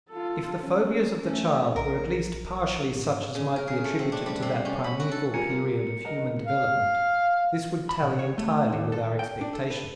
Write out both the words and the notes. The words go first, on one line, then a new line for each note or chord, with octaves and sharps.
If the phobias of the child were at least partially such as might be attributed to that primeval period of human development, this would tally entirely with our expectations.
F4 A4
C#4
A3 C#4
A#1 A#4
G#2
C#3
A#4
G#4
A3
C4
D4
G3
C3
C#4
B5
F#4
A4
G3 F4 A#4 G#5 C#7
A#4 D#5 F#5
F5
B5
B2
C#5
A3
D#2
A4
G5
D4
A4
B4